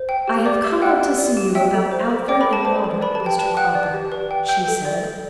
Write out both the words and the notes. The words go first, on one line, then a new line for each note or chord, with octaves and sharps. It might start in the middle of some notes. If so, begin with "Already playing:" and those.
"I have come up to see you about Alfred and Robert, Mr. Cropper," she said.
Already playing: C5
G5
G4
D5 D6
G4 E5 E6
F#5 G5 F#6
G4
D5
G4
E5 G5 E6
A4
C5
A4
D5 G5 D6
B4 B5
A4
A5
C5 A5
A4
B4 D5 B5
A5
G4
G5
B4 A5
F#5 G5 F#6
D5
G4
B4
G5
G5 G6
A4
D5
A4